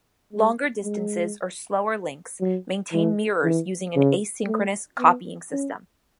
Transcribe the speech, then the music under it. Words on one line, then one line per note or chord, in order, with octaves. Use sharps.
Longer distances or slower links maintain mirrors using an asynchronous copying system.
G#3
G#3
F#3
E3
E3
C#3
A3
B3
C#4